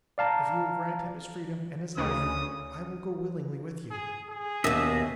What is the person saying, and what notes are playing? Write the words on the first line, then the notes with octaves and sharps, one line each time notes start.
If you will grant him his freedom and his life, I will go willingly with you.
D5 F5 A5 A#5
D2 C#3 D#6
G#4
G#4
D#2 B2 D#5 E5